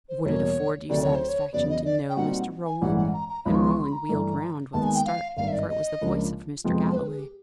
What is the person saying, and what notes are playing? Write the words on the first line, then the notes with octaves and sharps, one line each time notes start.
"Would it afford you satisfaction to know, Mr. Roland?" and Roland wheeled round with a start, for it was the voice of Mr. Galloway.
C5
E2 B2 G3 A#3 C#5
D2 C3 D#3 F#3 A3 D5
C#5
C5
C#5
E2 C#3 F#3 B3 D5
D#5
D5
G5
A#2 G3 C4 D#4 F#4 F#5
G#5
A1 G2 E3 G#3 F#5
F#5
A#5
A#5
C#2 C#3 F3 G#3 B3 B5
C#6
C6
C#6
C6
B5
A#5
G2 E3 A3
D#2 D#3 G#3 B3 A5
G#5
G5
F5
G#1 G2 D#3 F5
E5
D5
D#5
D#5
C#2 C#3 F3 A#3 D4
F2 C3 F3 G#3 B3
C5
B4
G#4
G4